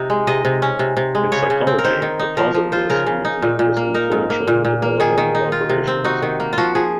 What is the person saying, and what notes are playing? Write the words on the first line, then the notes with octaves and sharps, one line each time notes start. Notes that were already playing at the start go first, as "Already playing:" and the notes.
In psychology the positivist movement was influential in the development of operationalism.
Already playing: C3 D#4
G#3
C3 D#5
C3
C#4
C3
C3
G#3
C#3 C#5
C#3
C4
A#4
D#3 C5
D#3
D#4
F3 A#4
F3
F4 C5
C#3 A#4
C#3
D#4
A#2
A#2
A#3
D#4 A#4
G#2
A#3
A#2
A#2
A#3
D#3 G#4
D#3
D#4
F4
C3
C4
D#4 F#4
D#3
A#3
F4
F3 F#4
F3 G#4